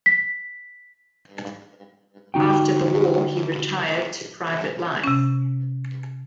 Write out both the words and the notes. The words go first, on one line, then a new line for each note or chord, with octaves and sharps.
After the war he retired to private life.
B6
D3 D#4 F#4 G5
C3 C#4